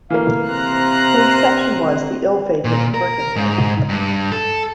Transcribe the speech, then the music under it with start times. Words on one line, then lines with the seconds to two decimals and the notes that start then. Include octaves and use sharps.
The exception was the ill-fated "Birkenhead".
0.10 E3 A3 A#3 F5
0.47 C3 C5 A#5 F#6
2.65 A#2
2.94 A#4
3.36 G#2
3.89 G2
4.32 A4